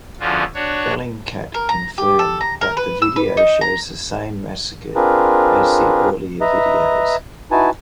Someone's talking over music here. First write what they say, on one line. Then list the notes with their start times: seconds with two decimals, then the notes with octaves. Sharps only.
Bellingcat confirmed that the video shows the same massacre as the earlier videos.
0.20 E2 D3 F3 C#4 F4 F#4
0.55 D4 F#4 C#5
1.54 A#4
1.69 A#5
1.98 G4
2.19 A4
2.41 A#5
2.61 A#4
2.77 B4
3.02 E6
3.16 B4
3.37 D#4
3.61 A#5
4.96 C4 D4 F4 G#4 A#4 B4
6.41 B4 D#5 E5 A#5
7.51 D#4 E4 F#4 B4 G#5 A5